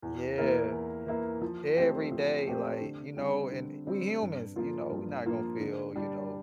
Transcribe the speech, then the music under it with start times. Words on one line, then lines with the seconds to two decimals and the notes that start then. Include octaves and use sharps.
Yeah, e e every day, like, you know, and we humans, you know, we not gonna feel, you know
0.02 E2
0.38 E3 A#3 E4 A#4
0.72 E2
1.07 E3 A#3 E4 A#4
1.41 F3
1.77 A3 C4 G4 C5
2.12 F3
2.47 A3 C4 G4 C5
2.81 D3
3.17 G3 C4
3.52 D3
3.87 G3 C4
4.21 G2
4.56 F3 A#3 F4
4.90 G2
5.26 F3 A#3 F4
5.60 D3
5.96 G3 D4